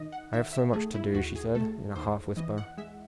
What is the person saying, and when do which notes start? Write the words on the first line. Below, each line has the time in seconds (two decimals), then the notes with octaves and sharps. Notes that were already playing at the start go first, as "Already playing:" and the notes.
"I have so much to do," she said, in a half-whisper.
Already playing: D#3 D#5
0.12 F#5
0.32 D#3 E5
0.53 E5
0.73 A3 G#4
0.94 E4
1.14 D#2 F#4
1.35 G#4
1.55 A3 A4
1.96 D#2 C5
2.37 E3 D#5
2.58 F#5
2.77 G#3 E5